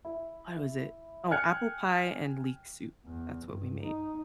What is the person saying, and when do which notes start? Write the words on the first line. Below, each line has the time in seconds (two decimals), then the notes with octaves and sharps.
what was it? Oh, apple pie and leek soup, that's what we made,
0.05 E4
1.30 G5 G#5 F6 F#6 G#6 C#7
3.07 E2
3.46 G2
3.82 D#4